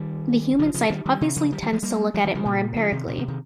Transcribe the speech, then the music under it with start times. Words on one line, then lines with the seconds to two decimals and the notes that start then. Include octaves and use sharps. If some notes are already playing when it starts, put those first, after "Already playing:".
The human side obviously tends to look at it more empirically.
Already playing: D#3 G3
0.59 C#3 F3
0.74 C#3 F3
0.90 D#3 G3
1.06 D#3 G3
1.21 C3 D#3
1.36 C#3 F3
1.52 D#3 G3
1.62 D#3 G3
1.72 F3 G#3
1.83 G3 A#3
2.14 F3 G#3
2.24 D#3 G3
2.35 C#3 F3
2.45 A#2 C#3
2.76 C#3 F3
2.92 C3 D#3
3.07 A#2 C#3
3.18 C3 D#3
3.28 C3 D#3